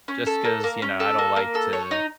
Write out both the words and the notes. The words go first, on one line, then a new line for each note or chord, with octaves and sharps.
just 'cause, you know, I don't like to
C#4
A4
A#3
A#3
C#4
A4
A#3
A#3
A4
C#5
D#4